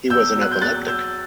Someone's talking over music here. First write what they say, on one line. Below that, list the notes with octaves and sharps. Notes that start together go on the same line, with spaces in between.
He was an epileptic.
E2 E6 G6
F#3
F#6
G6
E2 F#6 A6
F#3 E6 G6